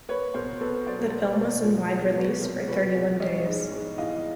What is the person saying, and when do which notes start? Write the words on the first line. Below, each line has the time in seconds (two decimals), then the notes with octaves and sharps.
The film was in wide release for thirty-one days.
0.09 A#3 B4 C#5
0.34 B2 A#4 C5
0.60 B2 A4 B4
0.86 F#3 C5 D5
1.13 A#3
1.39 B2
1.64 F3
1.90 E2 C5 D5
2.17 E2 B4 C#5
2.42 C3 A#4 C5
2.68 F3 B4 C#5
2.94 E2
3.20 G3 C#5 D#5
3.46 G#2
3.72 G#2
3.98 E3 D#5 F5